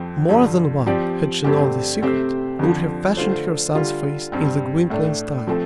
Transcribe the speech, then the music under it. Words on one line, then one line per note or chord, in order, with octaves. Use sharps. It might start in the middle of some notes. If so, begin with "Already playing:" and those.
More than one, had she known the secret, would have fashioned her son's face in the Gwynplaine style.
Already playing: F2 F3 C4
G2 D3 F3
F3 C4 G4 D5
G2 D3 A3 C4 G4
C3 A3 C4 G4 C5
F2 D3 F3
D3 A3 F4 C5
D3 G3 F4
G2 G3 C4
A2 A3 D4
F3 A3 C4 A4